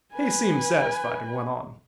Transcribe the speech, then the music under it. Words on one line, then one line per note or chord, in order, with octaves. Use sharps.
He seemed satisfied, and went on.
B4 G#5